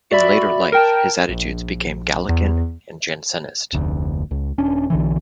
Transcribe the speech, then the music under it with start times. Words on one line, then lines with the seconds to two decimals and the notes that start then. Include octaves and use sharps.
In later life his attitudes became Gallican and Jansenist.
0.11 F#4 D5 E5 B5
0.72 A#4 G5 A5
1.29 A#1
2.29 E2
3.73 F1 D2
4.31 C#2
4.58 D#1 C#4 D4
4.90 B1 D3 E3